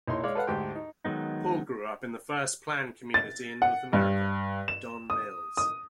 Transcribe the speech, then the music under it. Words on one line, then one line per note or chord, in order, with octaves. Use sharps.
Paul grew up in the first planned community in North America, Don Mills.
A#1 D#4 E4 C#5 C6
G#3 C#5 D5 F5
A4 B4 F5 F#5
D2 G#2 G4 G5 C6
D#4
D#3 F#3 G#3 B3 D#4
A6
F#5
G2
E7
D#6
D#6